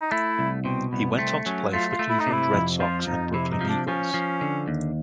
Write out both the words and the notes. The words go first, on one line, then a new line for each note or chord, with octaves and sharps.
He went on to play for the Cleveland Red Sox and Brooklyn Eagles.
D#4
A3 E4
C2
B2 C4
C2 B3
A3 C4
F#3 C#4
A3 F4
F4
A3
E4
D#4
C3
E4
F2
F3 F4
F2 D#4
C3 E4
D#4
F3
D4
F3 C#4
F3
D3
D#2